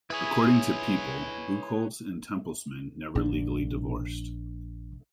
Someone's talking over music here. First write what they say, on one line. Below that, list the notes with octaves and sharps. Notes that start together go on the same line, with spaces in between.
According to "People", Bucholz and Tempelsman never legally divorced.
E4 G#4 B4 C#5
A#1 D4